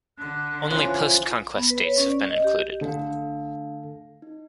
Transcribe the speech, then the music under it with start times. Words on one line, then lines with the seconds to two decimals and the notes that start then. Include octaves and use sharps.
Only post-conquest dates have been included.
0.18 D3 F#6
0.70 E3 F3 C#4 F4
1.55 B3
1.70 B4
1.84 C#5
1.98 C#4
2.10 D5
2.29 D#5
2.44 G4
2.81 D3 A3 D4 A4 F5
4.22 D#4